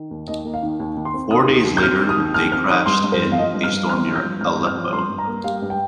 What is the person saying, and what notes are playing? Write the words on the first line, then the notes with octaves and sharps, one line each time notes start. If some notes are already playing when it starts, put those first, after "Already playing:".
Four days later they crashed in a storm near Aleppo.
Already playing: D#3
D#2
D#2 D#5
A#3
F5
D#3
D#2
D#2
C6
C4
D#3 D#6
D#2
D#2
G6
C4 F6
D#3
D#6
D#2
D#2 F6
C4 F6
D#3 D#6
G2 C6
G2
C5
C4
F5
F3 D#5
G2
F6
G2
C4 F6
F3
G6
G2
G2 F6
C4
F6
F3
G2 C6
G2
A#5
A#3
G3 F5
G2
G5